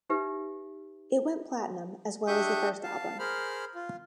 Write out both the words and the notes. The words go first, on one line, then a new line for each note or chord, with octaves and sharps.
It went Platinum as well as the first album.
D#4 G4 B4 E5
D4 G4 E5 C#6 D#6 G6
F5 A5
G#4 A#4 C5 B5 F6
F4